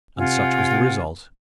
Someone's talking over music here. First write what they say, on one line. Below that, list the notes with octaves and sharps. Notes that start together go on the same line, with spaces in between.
And such was the result.
C3 F4 F#5 G#5